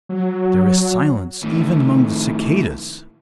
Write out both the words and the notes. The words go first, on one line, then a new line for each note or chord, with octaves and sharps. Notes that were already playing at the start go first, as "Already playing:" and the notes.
There is silence even among the cicadas.
F#3
A2 D#3